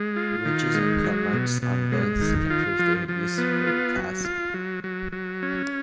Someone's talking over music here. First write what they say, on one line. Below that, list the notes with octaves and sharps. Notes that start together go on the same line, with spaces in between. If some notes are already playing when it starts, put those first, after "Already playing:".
Ridges and cut marks on bones can prove their use for the task.
Already playing: G#3
F4
D#3
G#3
F#3
B2
B2
G#3
D#3
F4
F3
F3
B3
F4
F#3
F4
F#3
F#3
F#3
C#4